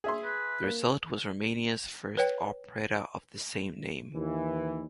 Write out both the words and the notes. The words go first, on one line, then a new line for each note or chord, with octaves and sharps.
The result was Romania's first operetta of the same name.
G#4 E5 C6
B4
A#3
B4 C#5 G5
D#2 E3